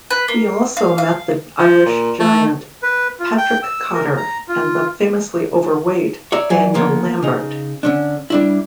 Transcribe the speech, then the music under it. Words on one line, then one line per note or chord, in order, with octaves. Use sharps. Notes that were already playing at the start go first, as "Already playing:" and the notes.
He also met the Irish giant Patrick Cotter and the famously overweight Daniel Lambert.
B4
A#3
F5
F5
F3
A#2
A3
B4
F4
G5
E6
A#4
A#5
F4
C#5 D5 E5 A#5
F#3 D5 G#5
F3 A#3 B3 C#5
C#3 D#4
D3 C#4 D4
G3 D4 E4